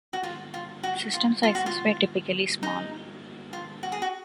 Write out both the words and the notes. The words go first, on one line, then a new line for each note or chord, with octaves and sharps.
System sizes were typically small.
F#4
F4
F4
F#4
F4
F4
F#4
F4
D#4
F4
F#4
G#4
F#4